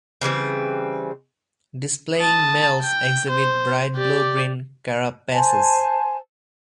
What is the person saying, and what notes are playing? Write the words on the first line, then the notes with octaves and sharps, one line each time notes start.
Displaying males exhibit bright blue green carapaces.
C#3 E3 G3 C4
A5 D#6
G5
C5
G4 D5
C5 G#5 A5